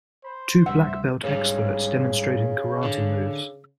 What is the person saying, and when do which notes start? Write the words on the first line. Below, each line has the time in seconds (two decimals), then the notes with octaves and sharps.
Two black belt experts demonstrating karate moves.
0.24 C5 B5
0.66 D2 C3 G3 E5 F#5
1.24 G#2 C#3 G3
2.83 D3